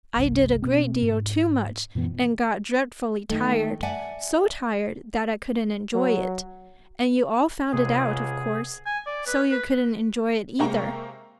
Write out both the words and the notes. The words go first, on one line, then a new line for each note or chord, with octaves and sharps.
I did a great deal too much and got dreadfully tired, so tired that I couldn't enjoy it, and you all found it out of course, so you couldn't enjoy it either.
G1 C2
B2 C4
G#2
F#2 A#2 E3 B3
D2 D#3 A3
D5 E5 F#5 G#5 A5
F#3
C#2 C3 C4 G#4 F#5
G#5
D5
B4
B4
C3 G#3 A#3 G5 A#5 C#6